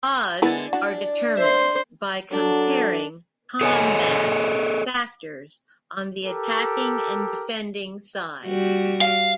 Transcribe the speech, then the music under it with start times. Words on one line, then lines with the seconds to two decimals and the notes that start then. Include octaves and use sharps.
Odds are determined by comparing combat factors on the attacking and defending side.
0.42 D3 G#3 B3 E4 A#4 B4 G#5 A6
0.73 D4 F#4
1.37 C5 E5 C6
2.31 F#3 D4 F#4 A4
3.61 G#4 A4 C#5 D#5 G#5
6.25 G4 A4 A#4
8.46 G3 F#4
9.01 F5